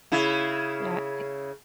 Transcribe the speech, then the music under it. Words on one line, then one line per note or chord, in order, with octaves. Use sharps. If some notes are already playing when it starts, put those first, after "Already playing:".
Yeah. I
C#3 E4